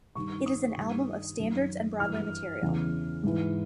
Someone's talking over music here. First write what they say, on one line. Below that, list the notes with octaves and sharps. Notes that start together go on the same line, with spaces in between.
It is an album of standards and Broadway material.
G2 D#3 C#6
D#6
G2 D#3
F#2 D#3
G2 E3 F6
E2 C#3 E3
G#2 E3